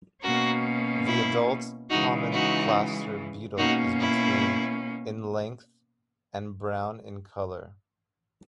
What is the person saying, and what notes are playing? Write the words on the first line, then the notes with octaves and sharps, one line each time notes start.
The adult common plaster beetle is between in length and brown in colour.
B2 A#3 C#4 F#4 A#4
E4
C#3 E3 G#3 D#4 F#4
D#4 F#4
B2 A#3 C#4 D#4 F#4
E4